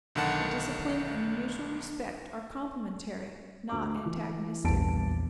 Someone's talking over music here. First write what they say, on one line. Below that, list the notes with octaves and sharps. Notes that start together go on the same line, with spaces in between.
The discipline and the mutual respect are complementary, not antagonistic.
B1 D3 D#3 F#5 A5
D2 D6
E3
A#1 E2 G2 A5 D7